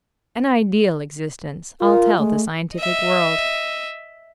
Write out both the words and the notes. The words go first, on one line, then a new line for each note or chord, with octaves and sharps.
An ideal existence, I'll tell the scientific world.
F4 A#4
G#3 A3
D#5 E5